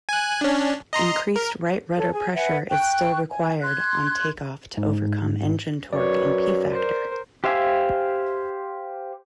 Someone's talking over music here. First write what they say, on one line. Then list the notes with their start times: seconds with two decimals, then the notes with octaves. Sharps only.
Increased right-rudder pressure is still required on takeoff to overcome engine torque and P-factor.
0.09 G#5 F#6
0.41 C#4 D4
0.93 D#5 A#5 C6
1.36 A#4
1.97 A4 C#5
2.12 G#4 G#5
2.35 B4 E5 F#5 G#5
2.71 G5 C#6 F#6
3.30 G#5
3.62 C6 F#6 G#6
4.78 G#2
5.93 F#2 B4 C#5 D5
6.72 A#4 C5
7.44 G4 C5 E5 F5 G#5